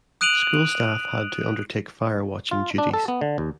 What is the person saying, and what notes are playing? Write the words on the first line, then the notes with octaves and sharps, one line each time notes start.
School staff had to undertake fire-watching duties.
D#6 F#6 D7 D#7 F7 F#7
F4
D4
A4
B3
D3
D#2